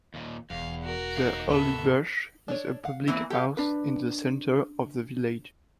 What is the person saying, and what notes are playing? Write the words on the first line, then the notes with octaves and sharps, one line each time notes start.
"The Holly Bush" is a public house in the centre of the village.
D#2 A#2
E1 E2 F5
F#4 A#4
D#4 F5
D2 G#2 C3 B3 A4 E5
D4 A4 C#5
F5 F#5
E3 A#3 C4
G4 A4 F5
D4 B4